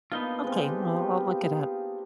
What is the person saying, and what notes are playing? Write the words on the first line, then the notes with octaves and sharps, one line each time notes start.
okay. Well, I'll look it up.
A#3 B3 D4 D#4 F4
G#3 C4
D4 G4